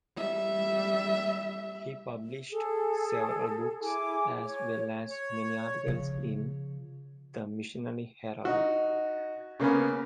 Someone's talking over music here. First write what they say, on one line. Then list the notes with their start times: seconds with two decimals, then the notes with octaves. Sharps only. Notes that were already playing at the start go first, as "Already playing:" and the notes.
He published several books, as well as many articles in "The Missionary Herald".
0.17 G3 E5
2.51 G#4 A4
3.82 E4 G#4 G#5 D6
4.44 C#5
5.11 C#5
5.87 C#3 F3
8.45 D#4 F#4
9.60 C#3 A#3 B3 C#4